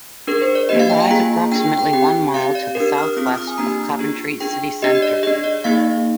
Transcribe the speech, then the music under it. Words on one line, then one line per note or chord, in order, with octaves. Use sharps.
It lies approximately one mile to the southwest of Coventry City Centre.
D4 G#4 A#4
C5
D5
A#3 D4 G4 D#5
F5
G5
G#5
A#3 F4 G#4 A#5
D4 G#4 G5
G5
G5
C4 G4 G5
C4 G4 F5
D5
D4 G4 A#4
F6
D#6
C4 F4 G#4 D#6
F6
D#6
G#5
A#3 D4 G4 A#5
D4 F4 G#4
D4 G#4 G5
D4 G4 D#5
D#5
D5
D4 G#4 D#5
D5
A#3 D#4 G#4 F5